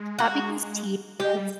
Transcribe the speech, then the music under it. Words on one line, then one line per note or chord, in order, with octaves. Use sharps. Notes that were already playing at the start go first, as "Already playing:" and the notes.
that becomes tedious.
Already playing: G#3
F#4
G#3 G4
G3